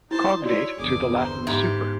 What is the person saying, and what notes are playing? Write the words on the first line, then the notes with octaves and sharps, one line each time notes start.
Cognate to the latin super.
D#4 E4 C5 A5
E4 F#4 C#5 D5
G1 E2 G#4 D6
C5 A#5
G#2 G4 E5 A#5 B5